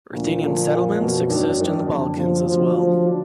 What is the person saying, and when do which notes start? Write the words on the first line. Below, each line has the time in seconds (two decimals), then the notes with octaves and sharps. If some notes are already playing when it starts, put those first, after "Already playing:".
Ruthenian settlements exist in the Balkans as well.
0.13 D2 A#2 D3 F3
0.42 D2 D3 F3
0.71 F#2 F3 A#3
1.00 F#2 B2 F3 A#3
1.29 G#1 F#2 D#3 F#3 D4
1.58 G#1 F#2 D#3 F#3 D4
1.87 F#1 F2 D3
2.16 F#1 F2 D3 F3
2.46 D2 D3 F3 F#3
2.75 D2 D3 F3 F#3
3.05 D3 F#3 D4